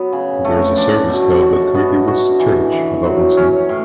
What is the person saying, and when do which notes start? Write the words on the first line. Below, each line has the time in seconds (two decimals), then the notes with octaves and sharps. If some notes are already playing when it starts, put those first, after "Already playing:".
There is a service held at Kirby Wiske church about once a month.
Already playing: F#3 B3
0.12 C#3
0.45 A3
0.77 D4
1.10 B2
1.42 F#4
1.75 B3
2.08 F#4
2.39 E3
2.72 E3
3.05 F#3
3.37 C#4
3.69 A2